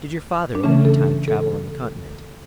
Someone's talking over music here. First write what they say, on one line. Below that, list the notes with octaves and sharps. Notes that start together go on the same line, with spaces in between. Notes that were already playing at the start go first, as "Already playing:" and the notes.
"Did your father, at any time, travel on the continent?"
D4
C#3 E3 A3 C#4
A4
A4